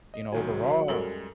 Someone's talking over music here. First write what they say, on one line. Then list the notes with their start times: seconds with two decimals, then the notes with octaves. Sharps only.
you know, overall
0.14 D#5
0.32 C2 D#3 F#3 G#5
0.88 F#2 G3 G#3 A4 A#4